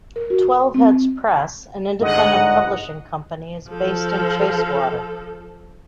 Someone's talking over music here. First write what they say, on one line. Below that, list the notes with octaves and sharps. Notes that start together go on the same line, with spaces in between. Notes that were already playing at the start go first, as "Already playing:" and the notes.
Twelveheads Press, an independent publishing company, is based in Chacewater.
A#4
F#4
C4
G1 G#2 D#5 F#5
F3 A4